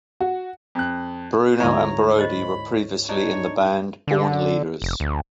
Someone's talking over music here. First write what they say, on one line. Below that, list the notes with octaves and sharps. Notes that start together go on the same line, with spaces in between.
Bruno and Brodie were previously in the band Born Leaders.
F#4
F2 F#6
D2 G#2 E4 F4 C#5 A#5
C5 D#5 B5
D4 D#4 C#5
D3
F1
D2